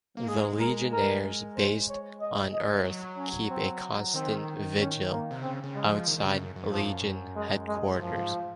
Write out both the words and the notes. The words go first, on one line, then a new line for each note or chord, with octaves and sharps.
The Legionnaires based on Earth keep a constant vigil outside Legion headquarters.
A#3
G#3 G#4
A#4
A#4
C5
C#5
D#5
D#5
F#3
C#4
C4
D#3 C4
C#4
A#3
C3
C#3 C4
C#3
G#3
F3
D#3
D#3
C#3
F#2
F#2
F3
G#3
G#3
F#2 F3
G#2